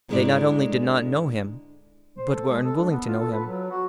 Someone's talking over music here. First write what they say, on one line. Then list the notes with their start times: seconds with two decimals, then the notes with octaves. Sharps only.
They not only did not know him, but were unwilling to know him.
0.09 G#2 D3 G#3 D4 E4 D5
2.18 C5
2.31 A4
2.49 G#3
2.65 A4
2.76 D4
2.90 B3
3.07 F4
3.19 A4
3.32 B4
3.47 F#3
3.71 F#4